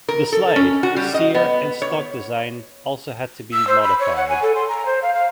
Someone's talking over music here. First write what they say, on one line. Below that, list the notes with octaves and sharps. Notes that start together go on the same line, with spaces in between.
The slide, sear, and stock design also had to be modified.
A#4
A4
C#4
F#4
G3
D#5
B3
C#5
E6
C5
B5
C#5
F#5
G#5
A4
C6
A#5
C5
F5
F5